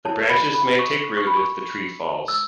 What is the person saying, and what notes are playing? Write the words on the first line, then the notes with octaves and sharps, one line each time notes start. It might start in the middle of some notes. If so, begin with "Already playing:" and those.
The branches may take root if the tree falls.
E4 C#5 A5
B5
B5
C#6
C#6
B5
C#6
E6